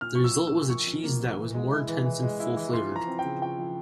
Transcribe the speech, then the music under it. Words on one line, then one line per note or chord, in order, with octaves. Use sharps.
The result was a cheese that was more intense and full-flavoured.
A#2 F6
F3 C#6
E6
A#3
E6
A#2
A#2 C#6
F3
A#3
A#2
E3
G#3
E4
E3
E3
G#3
E4
E3
F4 C6
F3
A#5
C4
G5
C#3
F4 G5
F3